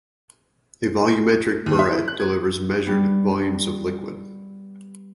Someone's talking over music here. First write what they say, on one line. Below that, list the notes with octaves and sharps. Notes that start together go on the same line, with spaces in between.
A volumetric burette delivers measured volumes of liquid.
D#2
E5
E4
F#6
G#6
G3 B3